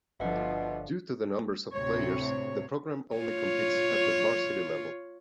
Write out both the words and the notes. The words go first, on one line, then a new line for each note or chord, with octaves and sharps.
Due to the numbers of players, the program only competes at the varsity level.
G1 B2 D3 F3 D4 F4 E5 F#5
D2 A2 C3 C4 C#5
F4 C#5